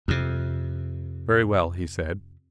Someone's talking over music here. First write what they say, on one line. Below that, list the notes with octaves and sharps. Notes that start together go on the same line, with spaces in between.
"Very well," he said.
F2 C3